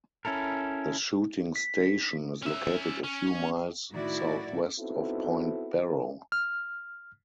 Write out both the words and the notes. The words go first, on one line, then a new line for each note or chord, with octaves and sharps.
The "Shooting Station," is located a few miles southwest of Point Barrow.
C#4 E4 A4 A#4
B6
C#4 E5
C#4
A2 D#3 E4 F#4 D5
B3 C4 D#4 E4 F#4 A4
F6